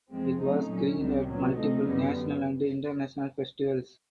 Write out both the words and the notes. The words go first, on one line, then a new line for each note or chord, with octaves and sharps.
It was screened at multiple national and international festivals.
F2 C3 F3 G#3 C4
C#3 F#3 A3 C4 D#4
A#2 F#3 A3 C#4
C#2 C3 D#3 G3 C4
A#2 F#3 B3
C3 F3 A3 C4 D#4
F#2 D3 G3 B3